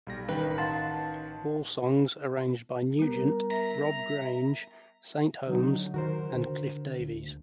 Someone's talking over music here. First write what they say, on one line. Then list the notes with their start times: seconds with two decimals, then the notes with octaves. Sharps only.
All songs arranged by Nugent, Rob Grange, Saint Holmes and Cliff Davies.
0.07 B1 G3 A#6
0.29 A1 D#3 B4 G5
0.58 F5 F#5 A5 C6
2.99 G3 B3 A#4
3.51 E5 A#5
5.47 D3 F#3 D#4
5.94 D#3 F#4 A#4 C5
6.36 D3
7.00 D2